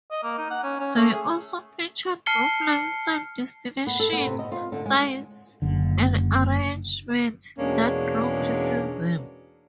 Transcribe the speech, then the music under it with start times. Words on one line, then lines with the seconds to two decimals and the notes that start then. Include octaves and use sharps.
They also featured roofline side destination signs, an arrangement that drew criticism.
0.11 D#5
0.23 A#3
0.38 D#4
0.51 F#5
0.63 C#4
0.80 C#4
0.96 A3
1.13 G#4
2.26 A5 F6 C7 C#7 G7
3.87 B3
4.00 A4
4.13 B3
4.27 C3
4.39 D#5
4.52 F4
4.72 D3
4.86 G#3
5.62 F#1 D3
7.58 E2 B2 G#3 A#3 C#4 D4